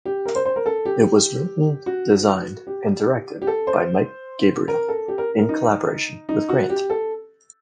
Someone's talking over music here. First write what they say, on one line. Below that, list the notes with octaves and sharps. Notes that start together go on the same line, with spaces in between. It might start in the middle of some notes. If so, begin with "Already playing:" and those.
It was written, designed and directed by Mike Gabriel, in collaboration with Grant.
G4
A#4
C5
C5
A#4
A4
G4
F#4
G4
G4
A4
C5
A#4
A4
G4
A#4
A#4
D#4
D#4
F#4
G4
A4